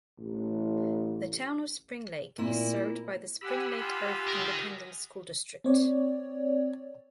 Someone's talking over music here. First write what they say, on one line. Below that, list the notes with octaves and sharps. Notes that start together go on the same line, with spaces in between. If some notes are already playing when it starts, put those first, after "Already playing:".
The Town of Springlake is served by the Springlake-Earth Independent School District.
A1
A#2 A#3 E4
G4 F#5 G#5 B5 E6
F4
A#4 D#5
C4 C#5 D5